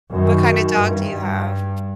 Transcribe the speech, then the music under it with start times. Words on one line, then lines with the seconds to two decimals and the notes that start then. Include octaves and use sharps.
What kinda dog do you have?
0.11 F#2 D#3
0.76 G2